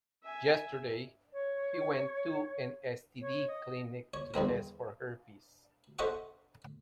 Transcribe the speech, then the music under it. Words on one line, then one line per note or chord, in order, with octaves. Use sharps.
Yesterday, he went to an STD clinic to test for herpes.
E5 G#5
C#5
C#5
D#5
C#5
E2 G2 C4 A#4
A4 C5 D#5 E5 F#5 C#6